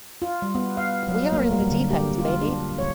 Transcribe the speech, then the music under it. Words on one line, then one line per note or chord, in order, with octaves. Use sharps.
We are in the deep end baby.
F4
G3
B3
F5
F#3
A#3
G3
D3
G4
F4
D4
C#5